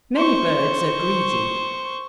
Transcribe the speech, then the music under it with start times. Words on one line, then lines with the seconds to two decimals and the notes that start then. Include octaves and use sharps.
Many birds are greedy.
0.16 C5 C#6